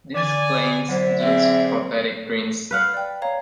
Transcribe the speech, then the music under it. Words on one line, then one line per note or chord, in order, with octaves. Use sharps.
This explains Dodds' prophetic dreams.
D3 D5 G#5 A6
D3 F#3 E4 C5
C4 G#4 E5
B4 F5 F#5
D5 G5
C#5 F5 A#5